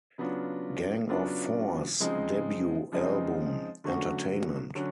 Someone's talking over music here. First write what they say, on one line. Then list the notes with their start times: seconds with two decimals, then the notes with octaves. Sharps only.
Gang of Four's debut album Entertainment!
0.18 C#3 F#3 B3 D4 F4
1.09 C#3 F#3 B3 D4 F4
2.00 C#3 F3 G#3 C4 D#4
2.92 C#3 F3 G#3 C4 D#4
3.84 D3 F#3 A3 C#4 F#4
4.75 D3 F#3 C#4